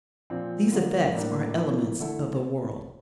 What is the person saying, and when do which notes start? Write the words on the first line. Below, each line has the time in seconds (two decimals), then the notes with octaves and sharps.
These effects are elements of the world.
0.30 A#2 F3 C4 F4
0.72 D3 F3 A#3 F4
1.15 A2 G3 A#3 D4
1.57 F3 A#3 E4
1.99 D3 A3 E4 A4